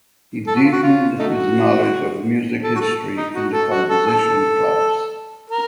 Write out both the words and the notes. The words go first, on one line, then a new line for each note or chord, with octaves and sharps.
He deepened his knowledge of music history in the composition class.
A4
F#4
F4
F#4
F4
A3 D#4 F#4
A4
F#4
A4
D#4
F#4
A4
F#4
A4
A4
A#4